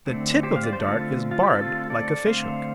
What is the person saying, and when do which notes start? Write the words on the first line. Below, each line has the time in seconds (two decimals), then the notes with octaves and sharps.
The tip of the dart is barbed like a fishhook.
0.07 D3 A3 C4
0.43 G4 C5
0.56 F5
0.64 D5
0.73 C5
0.80 D3 A3 C4 F4 A4
1.31 F4
1.43 G4
1.53 D3 A3 C4 F4 A4
1.90 A4 D5
2.27 D3 A3 C4 C5 F5